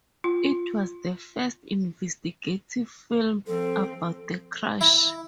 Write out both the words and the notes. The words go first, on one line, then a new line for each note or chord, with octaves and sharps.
It was the first investigative film about the crash.
F4
F3 C4 A4
E4